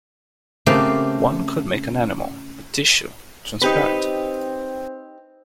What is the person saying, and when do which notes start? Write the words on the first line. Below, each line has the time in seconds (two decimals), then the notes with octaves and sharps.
One could make an animal — a tissue — transparent!
0.66 C#3 A3 A#3 C4 F4 G4
3.62 C4 D#4 G4 B4